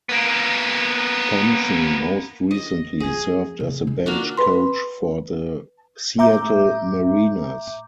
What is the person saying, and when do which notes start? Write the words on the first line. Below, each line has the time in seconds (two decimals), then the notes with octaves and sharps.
Thompson most recently served as the bench coach for the Seattle Mariners.
0.09 A#3 B3
2.51 D#5
3.00 F3 A3 G#4
3.60 C3
3.87 D#3
4.06 A#3 D4 F#4
4.37 B4 B5 C6
6.18 A2 E5 A#5 D6 G6